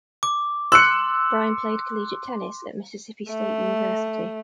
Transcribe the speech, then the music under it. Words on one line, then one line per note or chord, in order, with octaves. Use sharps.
Brien played collegiate tennis at Mississippi State University.
D6
C6 E6 F#6 C#7
A3